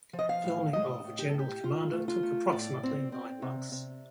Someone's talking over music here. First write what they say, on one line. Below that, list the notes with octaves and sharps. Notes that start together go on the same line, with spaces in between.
Filming of "General Commander" took approximately nine months.
F3
D#5
F5
A2
A2 D#5
A2
G4
A2 A4
G4
A2 F4
A3
F4
A3
A2 D5
C4
C4
C3
C3